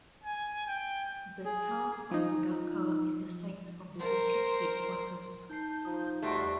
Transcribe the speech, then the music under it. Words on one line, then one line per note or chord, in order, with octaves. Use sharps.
The town of Budaka is the site of the district headquarters.
G#5
G5
G#4
F3 D#4
A#4 C5
D#4 A5 G6 C7
F3 D#4 A#5 D#6
E2 G3 A3 F#4 D#5 C6 A6 D7